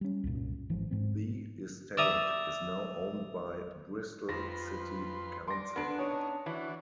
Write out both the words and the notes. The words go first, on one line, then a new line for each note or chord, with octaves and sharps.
The estate is now owned by Bristol City Council.
G3 C#4
C2 F#2 A#2
G#1 E3 F3
G#2 C4
D5 E5 A#5 D#6
F2 F3 B4 C6 A#6
D5 C6 A#6
B3 D4
C#4 D#4 C#5
E3 D4 F#4